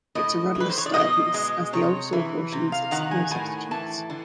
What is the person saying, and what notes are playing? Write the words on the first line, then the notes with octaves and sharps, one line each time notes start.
It's a rudderless style piece; as the old saw cautions, accept no substitutes.
A2 D#5
E3
B4
C5
C#5
D5
B2 D#5
G#3
C3 C#5
E3
C3
F5
D#3 F#5
G#5
A2 G#5
E3 A5
D3